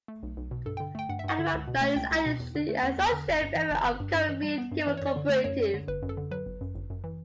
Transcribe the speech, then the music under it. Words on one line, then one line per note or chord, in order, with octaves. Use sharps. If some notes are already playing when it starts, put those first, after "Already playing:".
Animal Planet is additionally an associate member of the Caribbean Cable Cooperative.
A3
B1
B1
B2
G2 A4
G5
D3
A3 G5
G2 F#5
E5
G2 F#5
D3
C#2
B2
A3
C#2 G5
C#2
B2
E2
D3
A3
E2 F#5
E2
D3
G1
G2
E3
G1
G1
G2
G2
E3
G3
B3
G2
E5
E3 D5
C#5
F#2
D5
D3
A3
F#2 C#5
F#2
D3
G1 B4
F#2
A4
D3
F#3 B4
G1
F#2
G1
F#2
E3